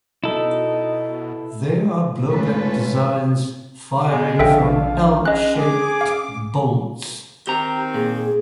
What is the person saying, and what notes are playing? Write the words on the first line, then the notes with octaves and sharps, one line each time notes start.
They are blowback designs firing from "L"-shaped bolts.
B2 D#4 E4 A4
G#2 E3 A3 C#4 F4 B4
B2 G#3
A#1 D3 A4 E5 F5 G5
G#3 C#4 D#5 F#6
G#4 D6
F5
D#3 C4 G4 A#5
A#2 G#4